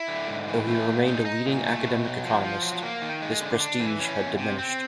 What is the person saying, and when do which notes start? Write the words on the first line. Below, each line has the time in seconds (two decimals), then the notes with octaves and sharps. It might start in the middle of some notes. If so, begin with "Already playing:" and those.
Though he remained a leading academic economist, his prestige had diminished.
Already playing: E4
0.08 D3
0.28 G#2
0.48 E3
0.68 A3
0.87 A#2
1.07 D#4
1.26 D#4
1.46 A#2
1.65 A3
1.85 B2
2.04 F#3
2.24 F3
2.44 F3
2.62 F#3
2.83 A#3
3.02 D#3
3.22 G#3
3.41 D3
3.60 D4
3.80 E3
4.00 C#4
4.19 E2
4.38 C3
4.58 C4